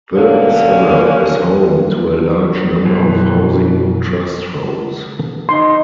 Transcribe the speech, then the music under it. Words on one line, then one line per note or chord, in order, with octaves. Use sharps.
The suburb is home to a large number of Housing Trust homes.
B2 D3 A#3 C#4
F#2 B2 E3
D#4 C6